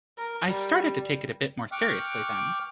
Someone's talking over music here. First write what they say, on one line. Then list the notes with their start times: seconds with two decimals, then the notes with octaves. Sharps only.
I started to take it a bit more seriously then.
0.17 A#4
0.47 G3
1.72 G5 C#6 D6 F6 F#6